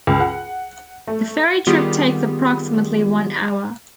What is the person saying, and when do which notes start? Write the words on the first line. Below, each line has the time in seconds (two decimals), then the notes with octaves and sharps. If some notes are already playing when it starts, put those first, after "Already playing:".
The ferry trip takes approximately one hour.
0.07 C#2
0.20 F#5
1.07 A3
1.67 D#3 G3 B3 F4 G4 G#4